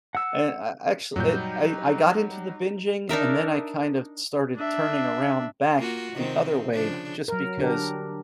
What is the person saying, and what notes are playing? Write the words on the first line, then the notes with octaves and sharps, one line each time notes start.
And I I actually, it I I got into the binging, and then I kind of started turning around back the other way just because
F#5 E6
F#2 A#2 F#3 G3 D#4 G6
D4 D#4 A#4 E5
D4 E5
A#3 F4 F#4
C3 D#3 C4
C#3 F3 D4
F#3 A#4
D3 D4 G4 A#4